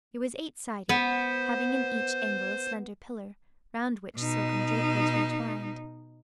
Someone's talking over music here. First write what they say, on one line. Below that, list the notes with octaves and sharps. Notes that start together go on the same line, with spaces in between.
It was eight-sided, having in each angle a slender pillar, round which silken draperies were twined.
B3 C5
B2 D#4